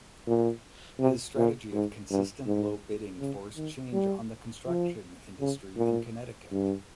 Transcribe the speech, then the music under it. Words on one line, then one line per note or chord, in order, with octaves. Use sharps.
His strategy of consistent low bidding forced change on the construction industry in Connecticut.
A#2
C3
A#2
G#2
G2
G#2
C#3
D#3
G3
F3
C#3
A#2
G2